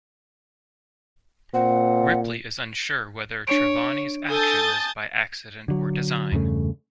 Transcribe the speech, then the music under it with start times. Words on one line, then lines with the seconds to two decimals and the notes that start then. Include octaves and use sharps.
Ripley is unsure whether Trevanny's action was by accident or design.
1.54 A#2 C4 F#5
3.47 D4 C#5 D7
4.29 A4 G#5 A5 D#6 G6 A6
5.68 D3 F#3
6.32 E2 G2 C#3 A3